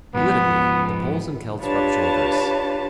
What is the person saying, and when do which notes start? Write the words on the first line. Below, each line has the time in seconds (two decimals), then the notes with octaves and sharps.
Politically the Poles and Celts rub shoulders.
0.15 G#2 F3 B3
1.60 D4 F4 G4 B4 C#5 A5